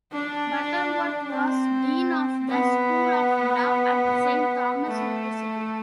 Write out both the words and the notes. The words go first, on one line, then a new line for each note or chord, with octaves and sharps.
Butterworth was dean of the School of Law at Saint Thomas University.
D4
C4
B3
A3